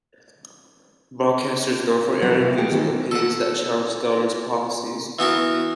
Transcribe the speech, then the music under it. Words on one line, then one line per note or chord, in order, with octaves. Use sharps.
The broadcaster is known for airing views and opinions that challenge the government's policies.
E3 F#3 G3 F#5
C3 G4 F5
A3 A#3 G4 G#4
D#3 E3 C5
A4 F#5
E3 B3 F#4 A#4